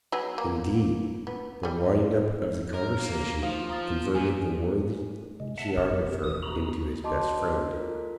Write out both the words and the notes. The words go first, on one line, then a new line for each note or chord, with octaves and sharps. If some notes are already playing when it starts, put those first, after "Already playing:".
Indeed, the wind-up of the conversation converted the worthy geographer into his best friend.
F#3 B3 G#4
A#3
B3
G3 G#4
A#4
A#3
F3 D#4 C5 F5
A#5 D#6 A6
A#2 G#5
C3 G#3
E5 F#5 A5
B2 G4 A#4
D#2 D#3 E3 D#6
F#4 A#5 B5
F#4 D#5 A5 C6 D6
F4 A4 A#4